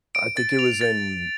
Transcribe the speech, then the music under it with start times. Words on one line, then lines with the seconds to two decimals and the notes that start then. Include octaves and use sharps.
I think it was in
0.15 D7
0.37 A6
0.59 F7
0.81 A6